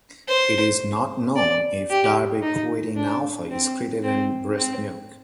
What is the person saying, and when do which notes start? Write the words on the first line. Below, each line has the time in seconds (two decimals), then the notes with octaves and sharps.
It is not known if darbepoetin alfa is excreted in breast milk.
0.28 C5
1.36 D5
1.90 G4
2.42 D#4
2.96 D4
3.50 C4
4.04 C4
4.58 C4